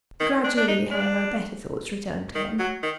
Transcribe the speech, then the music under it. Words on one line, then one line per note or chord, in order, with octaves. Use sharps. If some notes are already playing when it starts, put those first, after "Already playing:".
Gradually, however, better thoughts returned to him.
D#3
D4
D4
D#4
D4
D#3
F#3
D#3